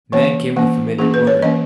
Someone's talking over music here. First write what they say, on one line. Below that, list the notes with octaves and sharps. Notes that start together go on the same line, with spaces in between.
Then came the familiar order.
E3 A#3 C#4 C#5
E3 A#3 C#4
E3 A#3 C#4 G#4
B4
C#5
E3 A#3 C#4 D#5